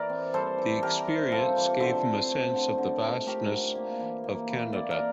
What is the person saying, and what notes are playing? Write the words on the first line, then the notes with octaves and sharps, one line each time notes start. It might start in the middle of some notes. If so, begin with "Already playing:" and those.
The experience gave him a sense of the vastness of Canada.
Already playing: E3 A#4 D5
C4
G3 A4 C5
E3
E3 G4 A#4
C4
G3 F4 A4
E3
D3 A4 C5
C4
A3
D3
D3
C4
A3 G4 A#4
D3
A#3
E3
A#3
E3
A#3 D5
A#4 D5